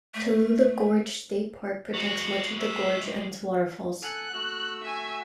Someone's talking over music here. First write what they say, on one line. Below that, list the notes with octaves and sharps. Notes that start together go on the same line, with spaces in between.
Tallulah Gorge State Park protects much of the gorge and its waterfalls.
A3
F#3 G#3 F#4
E5
A4 F#5 G#5 F#6
A3 F#4 E6
E5 G#5